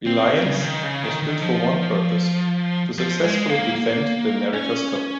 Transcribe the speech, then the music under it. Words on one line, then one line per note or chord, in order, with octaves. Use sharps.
"Reliance" was built for one purpose: to successfully defend the America's Cup.
C4
C4
D#3
C#3
D#3
C#3
D#3
D#3
F3
F3
G#3
A#3
A#3
C#4